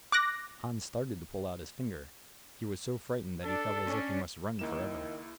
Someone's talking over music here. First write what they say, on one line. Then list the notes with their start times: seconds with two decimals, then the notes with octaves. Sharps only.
Hans started to pull out his finger; he was so frightened that he felt as if he must run for ever.
0.12 D6 F#6 A#6
3.45 D4 A4
3.85 C#4 D4
4.59 C#2 D#3 A#3 E4 E7